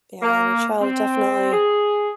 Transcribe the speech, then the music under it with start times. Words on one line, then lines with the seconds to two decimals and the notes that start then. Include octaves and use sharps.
Yeah, and a child, definitely
0.22 A#3
0.82 C4
1.52 G#4